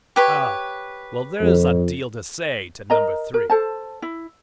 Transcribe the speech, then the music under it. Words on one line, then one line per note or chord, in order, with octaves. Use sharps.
Ah, well, there's a deal to say to number three.
G4 B4 C#5
F2
A#4 D#5 A#5
A#4
A4 C5 A5
E4